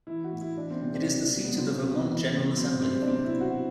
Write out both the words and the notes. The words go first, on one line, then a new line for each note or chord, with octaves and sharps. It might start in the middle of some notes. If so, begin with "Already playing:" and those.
It is the seat of the Vermont General Assembly.
E3 E4
F#4
A2
E4
E3 D4
C4
C3 C4
D4
F#3
B2
B3
F#3 C4
B2 B3
E3
A2
F#3 C4
C3 C4
D4
F#3 C4
E4
B2
F#4